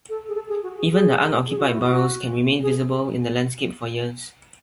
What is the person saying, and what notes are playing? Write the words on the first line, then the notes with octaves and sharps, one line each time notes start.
Even the unoccupied burrows can remain visible in the landscape for years.
A4
G#4
A4
G#4
F#4
G#4
G#4
G#4
F#4
E4
F#4
G#4